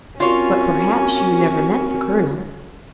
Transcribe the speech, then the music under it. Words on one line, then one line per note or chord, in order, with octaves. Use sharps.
"But, perhaps, you never met the colonel."
C4 C#4 F4 F#4 A#4 C#5